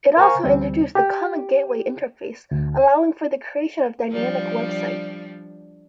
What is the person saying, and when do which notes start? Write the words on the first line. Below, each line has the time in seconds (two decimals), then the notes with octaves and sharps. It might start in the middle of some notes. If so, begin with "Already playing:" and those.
It also introduced the Common Gateway Interface, allowing for the creation of dynamic websites.
0.17 A#4 C5 F5 G#5 A#5 C#6
0.43 D2 E3 G3 C4
0.95 G4
2.51 D2
4.11 F3 G3 D4